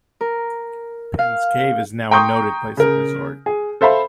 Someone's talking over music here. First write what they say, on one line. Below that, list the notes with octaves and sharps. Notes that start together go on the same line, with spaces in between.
Penns Cave is now a noted place of resort.
A#4
F5
G5 A#5 C6 C#6 D#6 G6
C#3 A#4
G#4
A4 C5 E5 F5 B5